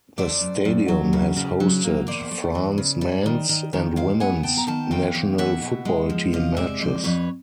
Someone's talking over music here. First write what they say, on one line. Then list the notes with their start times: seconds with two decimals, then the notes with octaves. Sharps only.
The stadium has hosted France men's and women's national football team matches.
0.18 A3 C5 D5
0.41 F#2
0.65 F#2
0.88 F#3
1.13 C#3
1.36 C#3
1.60 F#3
1.84 A#3
2.07 E2 C5 D5
2.31 A3
2.55 E3
2.78 C#3
3.01 G3
3.26 D#3
3.49 D#3
3.73 D#3
3.96 G#3 F5 G5
4.20 B3 F#5 G#5
4.43 B3 G5 A5
4.57 A#5
4.67 D#3 G5 A5
4.91 E2 F5 G5
5.15 E2
5.38 E2 E5 F#5
5.62 B2
5.85 G#3
6.10 F3
6.33 C3 D#5 F5
6.57 G#3 D5 E5
6.80 F2 C5 D5
7.04 F2 B4 C#5